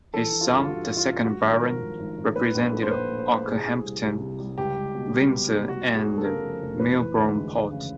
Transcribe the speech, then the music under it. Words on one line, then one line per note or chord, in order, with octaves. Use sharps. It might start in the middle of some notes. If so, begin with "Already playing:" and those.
His son, the second Baron, represented Okehampton, Windsor and Milborne Port.
E3 A4
E3
F4
G2
F4
G2 F#4
G2
F4
G2
G2 F#4
G#1
A#4
F3
G#1
G#1
G#1
A2 B4
A#1
A3
C5
A#1 B4
A2
C5
A2
C2 G#4
C2
G3
C2
C3
G3
C#2 G4
C#2
B2
G3
B3
G3
F1 F#4
F1
G#4
F1
A4
C#3 A#4
F2
F1
E3 B4
E3
D2
G#3
G#3
C#3